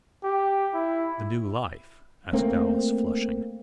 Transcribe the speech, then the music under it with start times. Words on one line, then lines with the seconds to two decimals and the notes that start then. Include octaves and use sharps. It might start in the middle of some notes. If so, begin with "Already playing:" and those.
"The new life?" asked Alice, flushing.
0.24 G4
0.74 E4
2.33 A3 A#3 C4